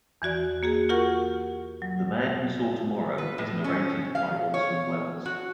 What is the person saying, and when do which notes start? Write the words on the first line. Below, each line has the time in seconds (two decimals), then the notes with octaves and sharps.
"The Man Who Saw Tomorrow" is narrated by Orson Welles.
0.22 E2 E3 F#4 D5
0.63 A#3 F#4 G#4
0.89 F4 G4 A#4 F#5 C#6
1.82 F#3
3.18 B4
3.38 A2
3.64 C#4
4.15 F5
4.54 C#5
5.26 F#4